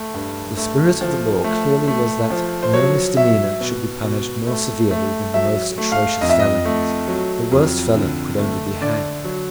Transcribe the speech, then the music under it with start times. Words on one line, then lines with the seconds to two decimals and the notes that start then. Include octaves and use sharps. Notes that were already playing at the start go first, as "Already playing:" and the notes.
But the spirit of the law clearly was that no misdemeanour should be punished more severely than the most atrocious felonies. The worst felon could only be hanged.
Already playing: A3
0.14 G2
0.57 A3
1.01 F3
1.44 A3
1.87 A3
2.30 F3
2.63 C5
2.74 F#3 C#5
3.17 F#3 E5
3.61 B2
4.04 B2
4.47 A3
4.91 A3
5.34 F#3 E5
5.78 A3
5.92 F5
6.21 F2 D#5
6.30 E5
6.39 D#5
6.65 A3
7.08 F#3
7.52 F2
7.95 D3
8.38 A3
8.81 D3 D5
9.24 F#3